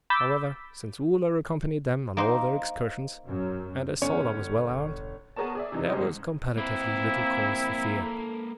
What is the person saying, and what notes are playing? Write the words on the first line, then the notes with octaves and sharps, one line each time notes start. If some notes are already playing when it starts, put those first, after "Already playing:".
However, since Woola accompanied them on all their excursions, and as Sola was well armed, there was comparatively little cause for fear.
B5 D6 E6 G6 A6 B6
A#3 D#4 C5
F#2
G1 C#4 C#5 C#7
E1
B3 G#4 A#4 C#5 A5
G#4 D5 E5
C3 E3 D#4
G1 G#2 C#4 C5 D#5
A#3 C4 E4 B4
A4